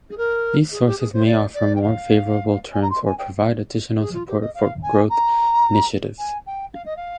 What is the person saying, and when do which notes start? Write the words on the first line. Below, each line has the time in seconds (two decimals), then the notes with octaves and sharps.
These sources may offer more favorable terms or provide additional support for growth initiatives.
0.10 G#4
0.17 A#4
0.71 G#4
0.85 G4
0.99 G#4
1.13 C5
1.26 D5
1.54 D5
1.75 G5
1.81 F5
2.73 G#5
2.82 A#5
2.90 C6
3.05 G#5
3.18 G5
3.99 G#4
4.13 F4
4.27 G4
4.40 D#5
4.54 F5
4.82 G#5
5.09 A#5
6.18 G#5
6.46 G5
6.73 F5
6.85 D#5
6.96 F5